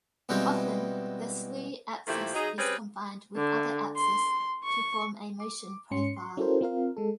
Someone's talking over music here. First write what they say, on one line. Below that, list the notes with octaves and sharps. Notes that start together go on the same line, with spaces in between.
Often the slew axis is combined with other axis to form a motion profile.
B2 E3 G3 G#3 C4
A#2 D#3 F3 A3 E4 G4
F#3 D#4 G#4
G3 C4 C#4 G#4 B4
D3
C6
C#6
D6
G#2 C#4 C6 C#7
C6
C#4 E4 F#4 A4 A#4 C5
C4 F4 A#4 F5
G#3 A4